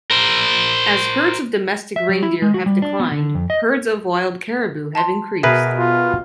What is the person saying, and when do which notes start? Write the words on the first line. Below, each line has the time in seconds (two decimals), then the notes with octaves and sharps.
As herds of domestic reindeer have declined, herds of wild caribou have increased.
0.11 A#4 C5
1.96 E5
2.09 F#3
2.23 E4
2.42 G#3
2.54 F#4
2.66 G3
2.82 D4
3.00 B3
3.11 D3
3.35 F2
3.50 D#5
4.95 A5 C6
5.43 B2 G#4 A#4 B4 E5
5.78 F4